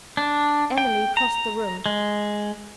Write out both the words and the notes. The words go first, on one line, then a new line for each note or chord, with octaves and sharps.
Emily crossed the room.
D4
G5
A#5
G#3